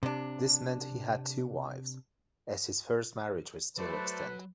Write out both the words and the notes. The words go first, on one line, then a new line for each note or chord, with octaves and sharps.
This meant he had two wives, as his first marriage was still extant.
C3 D4
F#3 A3 A4 B4 C5 D5